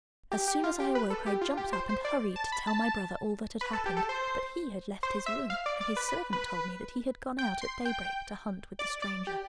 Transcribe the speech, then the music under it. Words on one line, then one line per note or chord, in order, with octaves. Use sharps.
As soon as I awoke I jumped up, and hurried to tell my brother all that had happened, but he had left his room, and his servant told me that he had gone out at daybreak to hunt with the stranger.
G4
G4
F4
G4
B4
A4
G4
F4
G4
C5
C5
D5
A5
B5
A5
B4
A4
G4
A4
C5
C5
E5
F5
D5
D5
B4
B4
B4
G5
C6
G5
D5
D5
G4